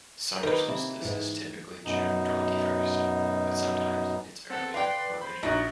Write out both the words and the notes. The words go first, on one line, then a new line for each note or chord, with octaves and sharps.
Summer solstice is typically June twenty-first, but sometimes it's earlier or later.
D#3 A#3 G4 A#4 B4 F5
C3 E4
G#2 E3
F#2 B2 D#4
C4 A4 F#5 A5
B4 D5 F5 G5 C6
C5 B5
A#1 D#4 E4 F#4 A#5